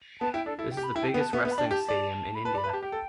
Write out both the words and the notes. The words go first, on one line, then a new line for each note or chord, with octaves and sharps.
This is a biggest Wrestling Stadium in India.
B3 A5
E4 G5
D4 A4
E4 A4
G5
G4
B5
E4 G5
A5
G5
B3
A5
B3 E5
B3
B5
D4 A5
G5
G4 A5
D5
B5
B4 A5
D5
B5
B4
G4 A5
G4 G5
A4